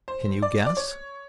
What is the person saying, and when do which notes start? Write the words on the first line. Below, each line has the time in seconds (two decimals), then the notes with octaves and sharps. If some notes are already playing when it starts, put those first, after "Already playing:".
Can you guess?
0.08 C5
0.42 D5
0.66 D5
0.77 C#5